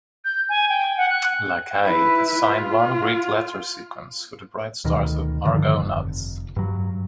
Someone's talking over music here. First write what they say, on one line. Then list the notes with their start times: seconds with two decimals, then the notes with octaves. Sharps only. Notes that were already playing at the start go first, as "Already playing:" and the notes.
Lacaille assigned one Greek letter sequence for the bright stars of Argo Navis.
0.25 G6
0.49 G#5
0.69 G5
0.97 F#5
1.09 F#6
1.85 E4 B4
2.49 F4
4.85 D2 B2 D#3
5.44 G2 D3 D#3 F3
5.80 F1
6.56 G2 F#3